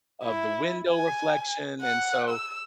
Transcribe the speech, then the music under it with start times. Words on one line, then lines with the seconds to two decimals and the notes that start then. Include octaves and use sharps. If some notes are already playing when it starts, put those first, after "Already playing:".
of the window reflection, and so
0.24 E4
0.90 G#5
1.82 F#5
2.29 E6